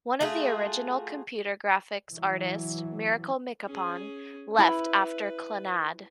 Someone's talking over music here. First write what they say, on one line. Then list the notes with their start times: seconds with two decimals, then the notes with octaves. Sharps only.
One of the original computer graphics artists, Miracle Mikipon, left after "Clannad".
0.21 A3 F4 F#4 G#4
2.13 E3 F#3
3.65 C#4 G#4
4.59 E4 B4 B5